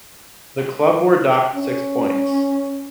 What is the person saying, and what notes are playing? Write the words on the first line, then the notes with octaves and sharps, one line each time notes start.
The club were docked six points.
C#4